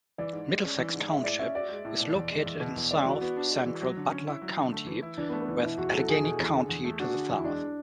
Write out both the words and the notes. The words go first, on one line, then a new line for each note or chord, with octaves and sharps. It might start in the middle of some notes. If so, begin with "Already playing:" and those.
Middlesex Township is located in south-central Butler County, with Allegheny County to the south.
E3 D5
G#2
G#3
C#4
E3
G#2
G#3 E5
A2 D5
C#4 E5
F#4 D5
G#3
A2
B2
E2
G#3
E2
B2
E2
G#3 D5
E3 F#4
B3 F#4
D4
G#3
E3
F#3
D3
C#4
E4
F#3
D3
A3
E3
E4
E3 D4
B3
A3
B3
E3 D4
B2 E4
E2 F#4
F#3 A4
E2 G#4
B2
E2
D3
E2
A3
D4 F#4
D3
E2
E4
G#3 D4